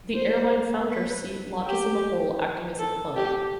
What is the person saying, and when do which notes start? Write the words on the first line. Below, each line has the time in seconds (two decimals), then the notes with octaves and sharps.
The airline founder's seat lodges in the hole, acting as a plug.
0.14 C5
0.89 B4
1.65 G4
2.78 A4
3.16 G4